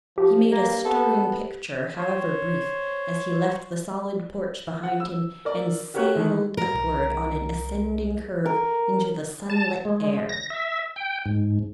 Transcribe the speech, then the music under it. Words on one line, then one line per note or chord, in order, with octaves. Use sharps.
He made a stirring picture, however brief, as he left the solid porch behind him and sailed upward on an ascending curve into the sunlit air.
F3 G4
G2 A#3
B3 A4
C5 C#5
F#5
E6
A#4 D5
F#4 G4 A#4 C#5 C#6 F#6
D#3 E3 A3
B2 A#4
C2
A#4
A5
G#3
A#6
E5
G5
G#2